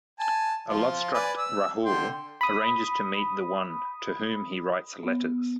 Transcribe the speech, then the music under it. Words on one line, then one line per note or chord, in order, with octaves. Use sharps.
A lovestruck Rahul arranges to meet the one to whom he writes letters.
G#5 A5
F3 F4
B4 D5 G#5
E6
D3 G5 C6
B5 D#6
B3